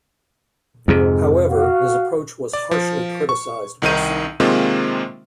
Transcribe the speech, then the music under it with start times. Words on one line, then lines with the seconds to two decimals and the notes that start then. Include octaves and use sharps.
However his approach was harshly criticised by some.
0.88 F2 G#2 C3
1.50 F#4 F5
2.53 D5
2.71 F3
3.29 C#6
3.82 C2 D#3 D#4 D#7
4.40 C3 D#3 G#3 A#3 C4 F4